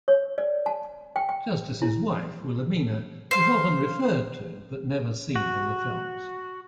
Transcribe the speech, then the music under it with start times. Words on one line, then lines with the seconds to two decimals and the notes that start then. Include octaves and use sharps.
Justice's wife, Wilhelmina, if often referred to but never seen in the films.
0.08 C#5
0.38 D5
0.66 A5
1.16 G5
1.29 G5
1.82 E4
3.31 C5 F5
5.36 F#4